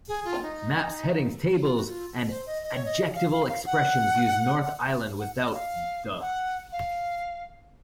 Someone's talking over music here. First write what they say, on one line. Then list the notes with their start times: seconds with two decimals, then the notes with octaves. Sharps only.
Maps, headings, tables and adjectival expressions use North Island without "the".
0.08 G#4
0.25 F4
0.42 D#4
1.61 F4
1.74 F#4
1.87 F4
2.30 C5
2.47 D#5
2.64 D#5
2.75 C#5
2.85 D#5
3.15 F5
3.32 F5
3.49 F5
3.66 F#5
5.20 F#5
5.37 D#5
5.54 F5
6.21 F#5
6.72 F5